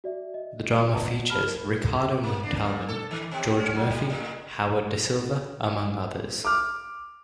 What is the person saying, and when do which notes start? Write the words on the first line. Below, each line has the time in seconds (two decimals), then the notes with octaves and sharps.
The drama features Ricardo Montalban, George Murphy, Howard Da Silva, among others.
0.04 F#4 D5 E5
0.34 D#5
0.93 B4 D5 D#5 F#5 A5 A#5
1.29 G4 A5 B5 F6 G7
1.47 A#4
2.23 A#3
2.43 D4
2.58 A#2
2.88 A4
3.11 D#3
3.31 B2
3.59 C#4
3.75 F#3
3.90 G3
4.10 A2
6.45 D6 F6